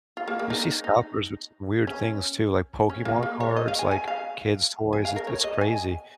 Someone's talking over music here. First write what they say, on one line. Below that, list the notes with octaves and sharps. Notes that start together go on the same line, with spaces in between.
You see scalpers with s weird things too, like Pokemon cards, like, kids' toys, it's it's crazy.
F4
A#3
A#3
D#4
D#4
C#4
C#4
A#3
A#3
C#5
D#5
F5
G#5
G#5
F5
G#5
F5
A#4
C#5
D#5
G#5